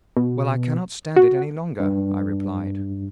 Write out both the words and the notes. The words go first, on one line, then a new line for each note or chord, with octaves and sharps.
"Well, I cannot stand it any longer," I replied.
B2
F#4
G2